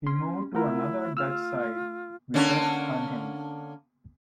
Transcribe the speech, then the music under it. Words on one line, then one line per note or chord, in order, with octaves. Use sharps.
He moved to another Dutch side, Vitesse Arnhem.
C#4 C6
A3 E4 F4 A#4 F#5
F4 E6 F6
D3 A#3 C#4